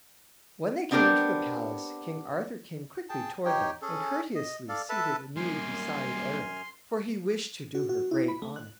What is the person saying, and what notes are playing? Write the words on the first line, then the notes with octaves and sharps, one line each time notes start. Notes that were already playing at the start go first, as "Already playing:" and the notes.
When they came to the palace, King Arthur came quickly toward them, and courteously seated Enide beside Erec; for he wished to do her great honour.
B3 C4 D4 G4 A#4 C5
G#4 G5 A5
D#4 G4 C#5 G5
C#4 G#4 A4
D#5
A4 D5 F5
A4 B4 E5 A5
F#2 G3 A#3 G#5 C6 F6
F#4
F#4
E4
B5
A3
F#6